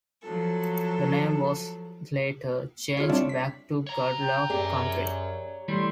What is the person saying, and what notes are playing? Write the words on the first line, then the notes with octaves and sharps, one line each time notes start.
The name was later changed back to Guadalupe County.
F3 F#3 A4
E4 F4 G#4 C#5
G3 C4 D4 C#5 D5 E5
B6
C#5 A#5
G5
F#2 G4 G#4 D5
E3 G3 A3 C6